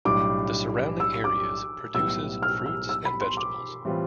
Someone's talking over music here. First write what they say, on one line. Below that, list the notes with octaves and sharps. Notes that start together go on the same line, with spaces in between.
The surrounding areas produces fruits and vegetables.
B1 A2 G3 D4 D6
E6
D6
B1 A2 G3 B3 E6
F6
E6
E6
B5
C6
D6
A2 E3 G3 C4 F4